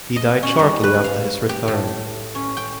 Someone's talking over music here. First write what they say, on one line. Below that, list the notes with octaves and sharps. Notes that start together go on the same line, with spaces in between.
He died shortly after his return.
D#5
C#4
G3
B4
F5
G4
A2
C#4
G5